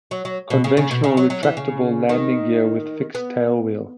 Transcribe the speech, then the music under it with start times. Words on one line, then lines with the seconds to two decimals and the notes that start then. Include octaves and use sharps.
Conventional retractable landing gear with fixed tailwheel.
0.11 F#3
0.25 F#3
0.50 B2
0.64 C#3
0.77 C#3
0.91 B2
1.04 C#3
1.17 F#3
1.30 F#3
1.43 E3
1.57 C#3
2.09 D#3
3.15 B3